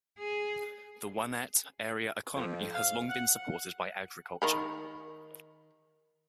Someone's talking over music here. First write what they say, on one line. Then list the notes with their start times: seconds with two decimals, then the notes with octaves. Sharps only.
The Wanette area economy has long been supported by agriculture.
0.19 G#4
2.36 F2
2.75 F5
3.10 F#5
4.42 D#3 A#4 B5